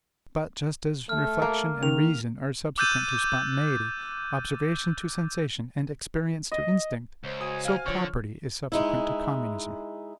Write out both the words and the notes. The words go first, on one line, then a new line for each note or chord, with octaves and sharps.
But, just as reflection and reason are subsequent to spontaneity, observation to sensation, and experience to instinct, so property is subsequent to communism.
A3 F6
A#3
D#3 F7
D6 E6 F#6 G6 A6 D#7
D#5
C#2 C5
F#4 G#5 D#6
F5 F6
D3 F3 C#5 C#6
G#3 D#4 E4